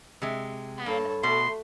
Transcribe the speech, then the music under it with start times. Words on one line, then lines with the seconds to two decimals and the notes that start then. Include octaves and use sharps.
And I
0.22 C3 G#3
0.86 G2 A4 C#5
1.23 B2 A3 C6